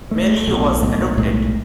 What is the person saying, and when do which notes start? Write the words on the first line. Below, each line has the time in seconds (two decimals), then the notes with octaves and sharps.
Miley was adopted.
0.11 B1 A2 A3
0.47 B1 A2
0.82 B1 A2 A#3
0.99 A3
1.17 B1 A2 G#3